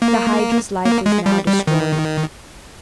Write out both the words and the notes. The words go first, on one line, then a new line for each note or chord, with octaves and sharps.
The Hydra's life was now destroyed.
A#3
A#3
G#3
G3
G3
D#3